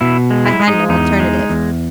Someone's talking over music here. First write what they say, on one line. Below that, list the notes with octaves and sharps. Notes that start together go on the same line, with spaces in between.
I had no alternative.
B2 E4
G#3
E4
G#3
D#4
E2 D#4
G#3
E2